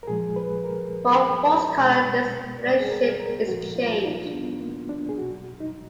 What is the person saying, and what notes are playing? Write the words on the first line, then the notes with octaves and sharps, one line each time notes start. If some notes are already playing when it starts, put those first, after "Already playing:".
For false color this relationship is changed.
A#4
A#2 F3 G#3 G#4
B4
A#4
B2 G#3
D5
G#4
A#4
A#4
A#2 F3 G#3 F#4
F4
F4
D#4
D4
B3
A#3
D4
G#4
B2 F#3 F#4
D#4